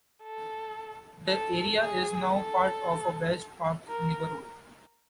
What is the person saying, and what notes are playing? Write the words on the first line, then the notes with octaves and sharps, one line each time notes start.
The area is now part of a West Park neighborhood.
A4
A4
G#4
A4
A#4